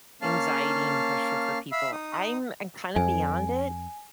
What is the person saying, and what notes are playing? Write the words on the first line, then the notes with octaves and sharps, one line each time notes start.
anxiety and pressure for people. I'm I'm kinda beyond it,
A#3 C#4 F5 A5 F6
E5 F5 B5 E6
D#4 D#6
F2 G#5